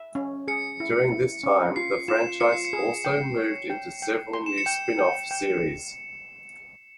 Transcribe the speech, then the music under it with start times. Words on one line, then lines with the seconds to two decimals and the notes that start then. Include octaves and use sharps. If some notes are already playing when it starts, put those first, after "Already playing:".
During this time, the franchise also moved into several new spin-off series.
Already playing: E5
0.15 C#4
0.48 G#4 C#7
0.80 E4
1.12 E4
1.44 C#4
1.76 F4 C7
2.08 F4 E7
2.40 F4 C#7
2.53 C7
2.65 C#7
2.73 G#4
3.05 G5
3.37 C#5
3.70 G5
4.02 G5
4.33 C6
4.46 E7
4.58 C#7
4.66 G5 E7
4.99 G5
5.31 G5